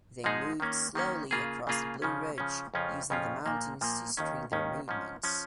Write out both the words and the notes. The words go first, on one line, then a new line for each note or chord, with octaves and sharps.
They moved slowly across the Blue Ridge, using the mountains to screen their movements.
G#2 F3 G#3 D#4 G#4
D#3 A#3 C#4
D#3 A#3 C#4
C#3 A#3 F4 G#4
C#3 A#3 F4 G#4
C#3 F3 C#4
C#3 F3 C#4
F2 C#3 F3 C#4 F4
F2 C#3 F3 C#4 F4
A#2 F3 A#3
A#2 F3 A#3
D#2 D#3 C#4
D#2 D#3 C#4
G#2 F3 C#4
F3 C#4